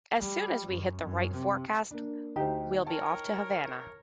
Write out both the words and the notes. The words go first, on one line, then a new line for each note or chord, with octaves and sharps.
As soon as we hit the right forecast, we'll be off to Havana.
G3
F#2
F#2
C3
A#3 D4
D2 D#4 G4 C5
A#4 C#5 G5 A5